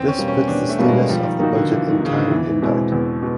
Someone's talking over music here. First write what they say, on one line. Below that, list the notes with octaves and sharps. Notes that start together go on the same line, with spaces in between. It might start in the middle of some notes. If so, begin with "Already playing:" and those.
This put the status of the budget in time in doubt.
Already playing: E2 C4
C#4
B2 G3 A#3
C#4
E2 D4
A3
B2 G3 A#3
G#3
F3 G3
D#3
D#3 A#3 D#4 F#4
D3
E3 F3
D#3
C#3 A#3 D#4 F#4
D3
E2 E3
B2 G#3 C4 E4
E2
B2